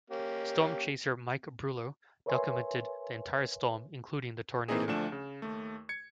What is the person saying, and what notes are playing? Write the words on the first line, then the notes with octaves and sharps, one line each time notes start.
Storm chaser Mike Brulo documented the entire storm, including the tornado.
A#3 C#4 G4
A#4 B4 C#5 E5 G#5 C6
E3 A#3 C4 D#4 G#4
D2 F3 A3 D4 E7
C#3
D#2 A3
G#6 C#7